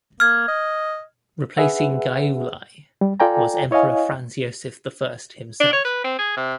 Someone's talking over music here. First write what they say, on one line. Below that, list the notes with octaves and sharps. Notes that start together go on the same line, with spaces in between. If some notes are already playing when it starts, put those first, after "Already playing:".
Replacing Gyulai was Emperor Franz Josef I himself.
A#3 F6 G#6
D#5
G#4 B4 E5 F#5
G3
F4 A4 D5 G5 G#5 A#5
E4 C#5 D#5 F5 G#5
D4
C#5
B4
C4
G#4
C3